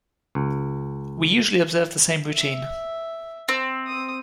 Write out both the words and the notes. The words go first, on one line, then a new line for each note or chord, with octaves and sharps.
We usually observe the same routine.
C#2
E5
C4
D#6